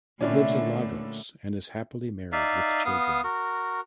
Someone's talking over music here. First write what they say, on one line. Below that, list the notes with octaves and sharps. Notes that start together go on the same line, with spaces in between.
He lives in Lagos and is happily married with children.
A#2 D3 G3 A3 C#4 D4 E4
D#4 D5 E5 F5
B3 F5 D#6
F#4 A#4